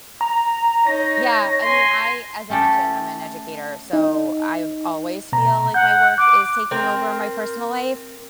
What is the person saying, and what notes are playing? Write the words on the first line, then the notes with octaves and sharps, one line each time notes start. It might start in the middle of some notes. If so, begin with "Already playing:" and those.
Yeah, I mean, I As I mentioned, I'm an educator, so, I've always feel like my work is taking over my personal life,
A#5
D#4 C#5 A#6
G#5 C6
A3 C#4 G4 A4
D#4
B2 A#5
F#5 G6
D6 F#6
C4 A#4